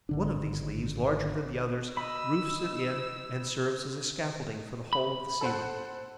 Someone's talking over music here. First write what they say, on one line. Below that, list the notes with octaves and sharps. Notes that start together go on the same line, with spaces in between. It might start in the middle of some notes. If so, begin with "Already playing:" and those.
One of these leaves, larger than the others, roofs it in and serves as a scaffolding for the whole of the ceiling.
G#1 D3 D4
D#5 B5 E6
B5
A4 C5 F#5